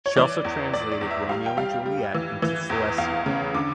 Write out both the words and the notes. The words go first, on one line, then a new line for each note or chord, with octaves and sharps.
She also translated "Romeo and Juliet" into Silesian.
C#5
E3 D5
E2
E2 D5
D5
E2
E5
G3 F5
G5
G3 F5
G3
E3
E3
E2
E2 F5
C#3
D3 D6